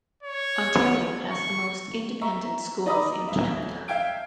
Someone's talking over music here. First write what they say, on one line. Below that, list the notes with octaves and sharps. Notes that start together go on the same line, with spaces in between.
Ontario has the most independent schools in Canada.
C#5
C#6
E5 A#5 C#6
D#4 D5 D#5 A#5 B5 D#6
D#1 E5
E5 F5 G5 G#6 D7